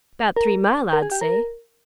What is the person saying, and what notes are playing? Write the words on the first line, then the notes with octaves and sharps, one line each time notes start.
'Bout three mile, I'd say.
A#4
A#4
G#4
G4
A#4